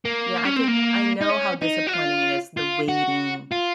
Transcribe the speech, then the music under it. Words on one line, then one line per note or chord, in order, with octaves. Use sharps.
Yeah, I can I know how disappointing it is, the waiting,
A#3
C#4
C4
A#3
D#4
C#4
D#4
F#4
F4
F4
F#4
F4